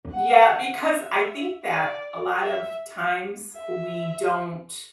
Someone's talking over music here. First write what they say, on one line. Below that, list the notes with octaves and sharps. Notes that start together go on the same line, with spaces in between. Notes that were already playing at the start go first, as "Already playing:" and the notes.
Yeah, because I think that a lot of times we don't
F#5
E5
D5
E5
E5